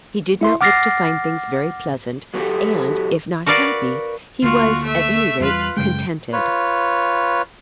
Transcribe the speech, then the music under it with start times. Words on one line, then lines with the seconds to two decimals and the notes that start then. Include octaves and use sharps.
He did not look to find things very pleasant, and, if not happy, he was, at any rate, contented.
0.41 E4 E5 C6
0.61 F#5 D6 F6 A6 A#6 C7
2.34 F#3 A#3 C4 F#4 G4 A4
3.47 F#4 A#4 B4 D5 F5
4.43 D2 A#3 F4 F#4
4.83 A3 E5
5.40 E2 G3 F4 B4
5.77 F#2 C#3 G#3 G5
6.33 F4 B4 C#5